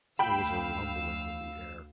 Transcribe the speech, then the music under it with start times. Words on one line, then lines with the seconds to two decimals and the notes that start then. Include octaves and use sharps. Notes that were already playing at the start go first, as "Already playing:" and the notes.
There was a rumbling in the air.
0.19 D2 F5 G5 B5 E6